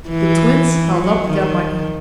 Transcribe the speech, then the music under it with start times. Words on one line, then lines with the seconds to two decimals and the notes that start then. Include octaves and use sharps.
The Twins held up their money.
0.09 E3
0.99 F#3
1.29 D#3